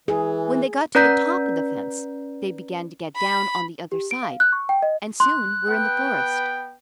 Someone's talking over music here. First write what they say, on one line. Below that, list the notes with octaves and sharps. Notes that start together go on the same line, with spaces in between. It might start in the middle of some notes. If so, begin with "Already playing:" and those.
When they got to the top of the fence they began to get down on the other side and soon were in the forest.
E3 G#4
C#4 B4 D5 A#5 G6 B6
B5
G4
D7
F5
F#6
C#6
G5
D#5
C6 F#6
B3 B4 G5